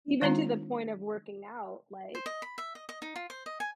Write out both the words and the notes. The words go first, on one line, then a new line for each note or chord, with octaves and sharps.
Even to the point of working out, like
D#3 G#3 C4 D4 D#4 F4
C5
D#5
B5
E5
D#5
D#5
D#4
F4
C5
D#5
G#5